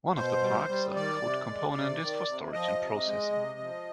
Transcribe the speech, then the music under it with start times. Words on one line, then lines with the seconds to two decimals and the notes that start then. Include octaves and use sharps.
One of the parts, a code component, is for storage and processing.
0.15 B2 C5
0.42 G3
0.69 G3
0.95 D#3 D5
1.22 C3
1.47 G#3
1.74 C3
2.00 D#3
2.27 C3
2.52 F3 D#5
2.79 C3
3.06 G#3
3.32 C3
3.59 F3